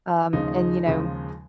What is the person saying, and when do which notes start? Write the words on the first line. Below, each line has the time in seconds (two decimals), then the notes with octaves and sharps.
Um, and, you know,
0.33 D#2 C#3 F3 G#3 D#4
0.86 D#2 C#3 F3 G#3